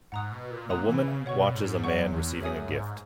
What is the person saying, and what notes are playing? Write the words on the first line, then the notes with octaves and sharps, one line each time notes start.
A woman watches a man recieving a gift.
G#2 F#5 A#5 D#6 F#6
B2
A#2
A#2 F#5 A#5 D#6 F#6
E3
C#3
B2 C#5 F#5 C#6
G#2
F#2 C#5 F#5 C#6
E2
F#2 G#4 C#5 E5 G#5 D#6
G#2